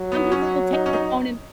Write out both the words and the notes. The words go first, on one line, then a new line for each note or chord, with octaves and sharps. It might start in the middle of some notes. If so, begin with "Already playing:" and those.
Some people will take their phone and
Already playing: F#3
B3
C#4
D#4
C#4
D#4